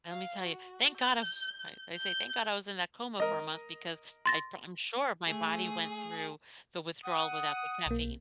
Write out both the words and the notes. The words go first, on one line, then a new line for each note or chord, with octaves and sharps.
Lemme tell you, thank god I was I I say thank god I was in that coma for a month because I pr I'm sure my body went through the withdrawal without the caffeine.
F5
F#4
G6
G6
A#4 D#5
C6 A6 A#6
A3 G#4
F#5 D#6
B1 A#3